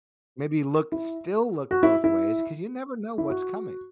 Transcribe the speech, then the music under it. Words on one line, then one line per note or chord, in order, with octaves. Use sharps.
Maybe look still look both ways 'cause you never know what's coming.
E4
F#4
E4
E4
E4
F#4